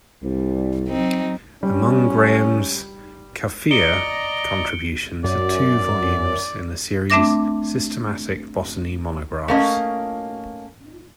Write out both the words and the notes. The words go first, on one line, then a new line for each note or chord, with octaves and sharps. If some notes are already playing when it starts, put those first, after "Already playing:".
Among Graham's "Cuphea" contributions are two volumes in the series "Systematic Botany Monographs".
C2 G3
F#3 C4 D#4
G3 C#4
D5 D#5 A#5 C#7 D7 G7
F#2 D5
A3 C4 D4 E5 D6 A#6
A3 A#3 C#4 D#5